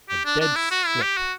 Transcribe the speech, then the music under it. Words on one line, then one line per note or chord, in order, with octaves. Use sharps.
A dead snip.
G4
D4
D4
E4
F#4
E4
G4
F#4